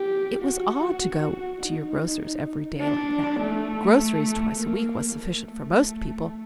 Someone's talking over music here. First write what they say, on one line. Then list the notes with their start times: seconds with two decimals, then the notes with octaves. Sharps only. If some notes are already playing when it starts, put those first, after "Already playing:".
It was odd to go to your grocer's every day like that: groceries twice a week was sufficient for most people.
Already playing: G4
0.42 F#4
1.61 D#4
2.80 D4
3.40 A3
4.59 A#3
5.19 A3